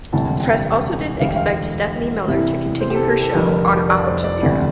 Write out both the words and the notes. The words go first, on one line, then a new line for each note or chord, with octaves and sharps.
Press also didn't expect Stephanie Miller to continue her show on Al Jazeera.
E1 D2 C3 G3 A5
G5
E1 D2 D3 G3 F5
G5
F5
C2 C3 E3 G3 E5
C5
G4
A4
G4
A4
F1 F2 D3 G3 A#4
D5
C5
D5
E1 D2 C3 G3